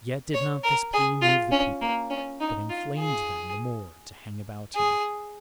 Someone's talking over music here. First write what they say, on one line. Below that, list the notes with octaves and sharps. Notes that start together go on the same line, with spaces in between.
Yet did not this plea move the people, but inflamed them the more to hang about him.
C#5
A#4
G#4
F4
C#4
A#3
C#4
D#4
F4
G#4
G#4